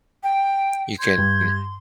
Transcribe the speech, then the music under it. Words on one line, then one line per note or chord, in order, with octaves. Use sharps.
You can n
G5
C6 G6 G#6
G2